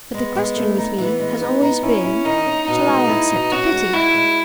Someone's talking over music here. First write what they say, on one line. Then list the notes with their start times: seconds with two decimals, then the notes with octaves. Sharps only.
But the question with me has always been, Shall I accept pity?
0.14 G#3 B3
0.35 G#3
0.56 A3
0.77 D#4
0.98 E3 B3
1.20 G#3
1.41 D#4
1.62 D#4
1.83 C#4 E4
2.04 E4
2.25 D#3 D#4
2.46 C#4
2.67 B2 D#4
2.88 G#3
3.09 E4
3.30 B2
3.52 C#4 F#4
3.73 G#3
3.93 G#3 E4
4.15 G#3